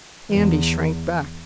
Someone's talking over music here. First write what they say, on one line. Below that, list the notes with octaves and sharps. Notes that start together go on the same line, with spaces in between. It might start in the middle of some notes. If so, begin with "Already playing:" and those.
Andy shrank back.
E2